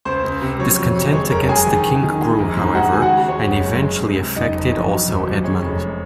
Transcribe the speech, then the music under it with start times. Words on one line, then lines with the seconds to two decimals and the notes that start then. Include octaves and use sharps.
Discontent against the king grew, however, and eventually affected also Edmund.
0.05 C#2 C5
0.24 C#2
0.41 C3
0.59 F#3 C#5
0.77 F2
0.95 C3
1.13 G#3 C#5
1.30 F#1 A#4 A#5
1.49 F#2 G#4 G#5
1.67 D#2
1.84 D#2
2.03 D#3
2.21 G#3
2.39 A#1
2.57 G#2
2.75 G#3 F#4 F#5
2.93 D#2 G#5
3.02 F#4 F#5
3.11 C#3
3.28 G#3 C#5
3.47 F#1
3.65 F#2
3.83 G#3
4.01 C#2
4.18 C3
4.36 F#1 D#4 D#5
4.54 F#1
4.72 F2
4.91 F#3
5.08 G#1
5.27 F#2
5.44 G#3 C#5
5.62 F1